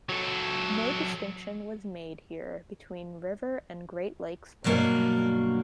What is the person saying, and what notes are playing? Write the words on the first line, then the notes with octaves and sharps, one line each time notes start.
No distinction is made here between river and Great Lakes ports.
F#3 A4
G2 B2 F#3 A#3 D4